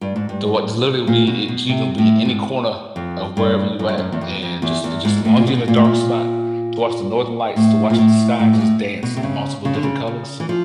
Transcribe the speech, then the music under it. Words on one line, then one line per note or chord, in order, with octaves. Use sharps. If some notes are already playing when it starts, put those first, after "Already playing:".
to wa literally will be it you gonna be in any corner of wherever you're at, and just it just as long as you're in a dark spot to watch the Northern Lights, to watch the sky just dance in multiple different colors.
G2
G#2
G2
A#2
B2
B2
C3
A2
G#2
F2
G2
F#2
G2
F#2
E2
F2
F2
E2
E2
G#2
A2
A#2
B2
A#2
A2
A#2
A2
A#2
A2
A2
G#2
A2
B2
C3
C#3
C#3
D3
C#3
C#3
E3
F3